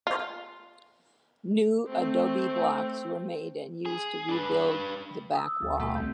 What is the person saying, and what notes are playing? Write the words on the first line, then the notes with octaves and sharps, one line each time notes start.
New adobe blocks were made and used to rebuild the back wall.
F4
A3 C4
G#4
D4 B4
D#6 E6
D2 F#3 A4
B2 A3
C2 C3 G6